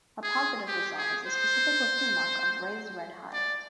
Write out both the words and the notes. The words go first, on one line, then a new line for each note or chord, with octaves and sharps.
A positive result is a specific looking mark of raised red hives.
G#4
G4
G#4
C5
D5